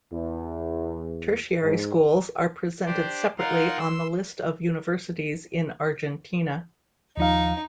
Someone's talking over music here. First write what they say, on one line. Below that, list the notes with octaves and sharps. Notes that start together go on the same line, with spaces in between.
Tertiary schools are presented separately on the list of universities in Argentina.
E2
G#2
D4 G4 C5 D5
D#4 F4 A#4 F5 F#5 C6
C6 E6
D#2 F3 D#4 F5